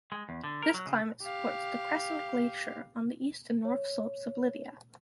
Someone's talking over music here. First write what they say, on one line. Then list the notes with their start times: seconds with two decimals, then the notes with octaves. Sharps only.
This climate supports the Crescent Glacier on the east and north slopes of Lydia.
0.12 G#3
0.29 E2
0.44 D3
0.63 A#4
0.74 F#3
0.86 C#3
1.23 G4 F5
3.65 C#5